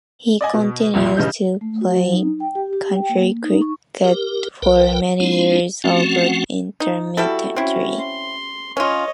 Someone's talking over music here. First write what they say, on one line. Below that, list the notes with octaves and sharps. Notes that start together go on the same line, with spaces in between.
He continued to play county cricket for many years albeit intermittently.
D5 D#5 G#5
B2
F#1 C2 F2 A#2
G2 C#3 E3 D#4 G6
A3
F#4
F#3
D#4
G5
G4
G4
G5
A#3
D#4
C#6
G4 A#4
B1 A#4 B4 G5
G#3 C4 D4 E4 F4
F3 A3 C4 C#4 F#4 F#5
D#4
G3 E4 F#4 A4
C4 C#4 E4 F#4
C6
C#4 F4 C#5 D#5